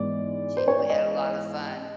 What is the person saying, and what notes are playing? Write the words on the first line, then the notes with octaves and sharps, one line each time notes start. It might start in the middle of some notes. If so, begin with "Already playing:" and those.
She we had a lotta fun.
Already playing: G#2 E3 G#3 B3 D5
C5
C#5
D5
D#5